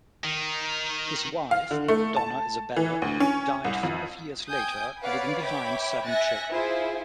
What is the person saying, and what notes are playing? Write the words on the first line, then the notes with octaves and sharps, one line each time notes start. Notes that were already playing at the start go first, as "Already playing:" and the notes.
His wife, Donna Isabella died five years later leaving behind seven children.
D#3
F5
D3
A3
A5
E3
D2
C#4
C2
F2
G5 G#5 D#6 G6
B4 C#5 D5 F5 F#5 B5
C#5 E5 G5 B5 D6
E5 G#5 F#6 A6 A#6 C#7
E4 F4 G#4 C5